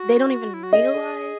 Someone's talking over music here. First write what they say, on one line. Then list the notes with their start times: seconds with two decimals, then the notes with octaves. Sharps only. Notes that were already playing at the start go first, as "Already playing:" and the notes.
they don't even realize
Already playing: F#4
0.54 E4
0.63 F#4
0.73 G#4 D#5